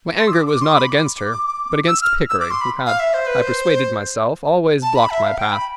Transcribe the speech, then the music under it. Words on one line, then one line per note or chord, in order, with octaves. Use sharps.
My anger was not against her, but against Pickering, who had, I persuaded myself, always blocked my path.
C6
E6
D6
D6
C6
B5
D6
E6
F6
E6
D6
C6
B5
F5
E5
C5
B4
C5
A5
B5
E5
F5
G5
B5